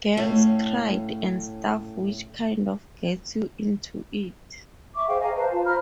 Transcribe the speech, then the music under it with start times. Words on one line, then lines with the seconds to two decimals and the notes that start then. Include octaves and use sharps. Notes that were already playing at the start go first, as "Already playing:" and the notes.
Girls cried and stuff which kind of gets you into it.
0.17 A2 A3 C#4 F5
4.95 E5 C#6 D6
5.08 G#4 C5 F5 G5
5.20 D#5 F5 G#5 A#5
5.36 B4 C5 F5 A5
5.51 F4 A5
5.65 C5 A#5 B5 F6